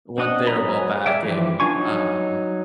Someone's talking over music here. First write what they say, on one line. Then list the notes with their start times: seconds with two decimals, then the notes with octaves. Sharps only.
went there a while back, and, um,
0.18 C4 D4 D#5 F#5
0.47 F#3 D#5 A#5 B5
1.06 G#4 D5 E5 G5
1.23 E3 F3 G4
1.60 B3 D4 F4 G#5 C#6
1.75 F#3 D#4